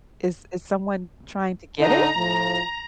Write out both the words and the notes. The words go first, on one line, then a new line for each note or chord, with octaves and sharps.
Is is someone trying to get it?
D3 D#4 A#5
A2 F3